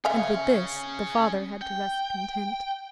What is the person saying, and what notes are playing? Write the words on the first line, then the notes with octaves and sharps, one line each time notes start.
And with this the father had to rest content.
C#4 G#4 E5 F5 G#5
G5